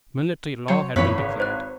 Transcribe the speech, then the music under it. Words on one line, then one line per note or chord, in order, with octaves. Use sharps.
Military law had been declared.
F#3 C5 C#5
G#1 F#2 E3 B4 C#5 B5
C#3
C5 F#6